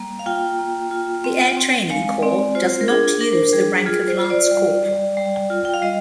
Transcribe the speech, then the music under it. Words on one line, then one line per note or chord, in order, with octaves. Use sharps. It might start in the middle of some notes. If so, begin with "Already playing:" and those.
The Air Training Corps does not use the rank of lance corporal.
Already playing: G3 A#3
F5
F4 G5
A#3
F4
C4
C4
G#3 F5
C4 D5
F4 C5
A#4
D4 G#4
D4 A#4
C5
A#4
G3 G#4
F4 G#4
C5
F4
C5
D5
G3
G3
G3
F4
G5
F5
G3 D#5